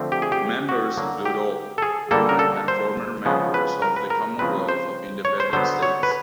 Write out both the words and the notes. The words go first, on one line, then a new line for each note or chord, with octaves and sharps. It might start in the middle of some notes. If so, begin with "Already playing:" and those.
Members include all current and former members of the Commonwealth of Independent States.
Already playing: D3 F3 A3 C4
G4
G#4
G4
F#4
D3 F#3 A#3
G4
A4
G#4
D3 G3 A#3 A4
A#4
A4
C5
C#3 F3 G#3 B3
B4
A#4
B4
A#4
C#3 F3 G#3 C4 B4
C5
C#5
C5
D3 F#3 B3 C5
C#5
B4